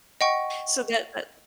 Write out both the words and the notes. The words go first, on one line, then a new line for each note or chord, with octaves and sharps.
so that that
D#5 F#5 G5 C#6